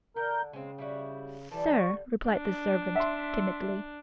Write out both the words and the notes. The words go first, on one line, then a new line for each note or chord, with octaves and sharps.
"Sir!" replied the servant, timidly.
D3 A#4 G6
C#3 G#3 C4
G3 E4 F#4
D3 E3 G3 A5
C#6
D4
E5 C6